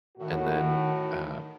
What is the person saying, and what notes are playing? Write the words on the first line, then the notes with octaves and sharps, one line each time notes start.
and then uh,
A2 D#3 F#4